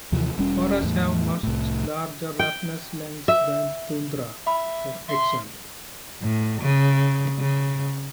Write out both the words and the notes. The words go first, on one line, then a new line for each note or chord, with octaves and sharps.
Forests have much larger roughness lengths than tundra, for example.
D#2 C3 E3 F3
E1 G3 C#4
E2 A2
C2 A2
G5
E5
E5 B5
E5 C6
A2
C#3
C#3